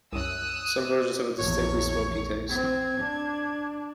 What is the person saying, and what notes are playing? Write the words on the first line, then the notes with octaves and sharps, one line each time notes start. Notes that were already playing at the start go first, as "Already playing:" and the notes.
Some versions have a distinctly smoky taste.
C2 F#2 D#6 E6 F#6
A#1 E2 C#5
C4 G#6
D4